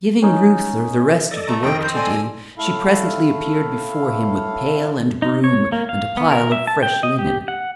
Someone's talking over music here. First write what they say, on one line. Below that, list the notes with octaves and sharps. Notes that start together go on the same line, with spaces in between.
Giving Reuther the rest of the work to do, she presently appeared before him with pail and broom and a pile of fresh linen.
C#4 D#4
A4 D5 D#5
A3 A#5
F2 D#3 D#5 G5
C4 G6
A4 D5 G#5 C6
A2 A3 E4 A4 F5
D#4
C#5
A#3
F5
B3
A#4
E5
A5
G5
D#5
G4
F#5